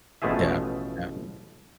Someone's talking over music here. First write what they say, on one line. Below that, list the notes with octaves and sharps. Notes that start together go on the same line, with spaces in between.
Yeah, yeah.
A1 B2 F3 A3 G#4 E5